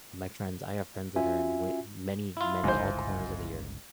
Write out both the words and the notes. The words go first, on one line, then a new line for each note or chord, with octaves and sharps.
My friends I have friends that are in w many, many all corners of the Earth,
C#4 F4 F#4 E5 G#5
E4 F4
G1 C#2 G#2 C5